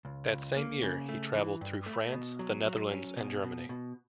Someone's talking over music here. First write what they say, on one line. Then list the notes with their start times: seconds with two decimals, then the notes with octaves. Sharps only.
That same year he travelled through France, the Netherlands and Germany.
0.05 C#2
0.30 C#2
0.57 A#3
0.82 C#3
1.09 A3
1.34 E3
1.61 G2
1.86 A3
2.13 B2
2.39 F#3
2.65 F#3
2.91 C#4
3.17 B2
3.43 B2
3.69 B2